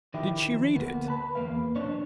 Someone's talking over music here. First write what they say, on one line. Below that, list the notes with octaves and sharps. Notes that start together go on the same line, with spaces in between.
"Did she read it?"
D#3 F3 E4 G4
F3
D2 A#3 B3
B4 A5 B5
E2 G2 A#3 B4 F5
B1 C4 D4 C#5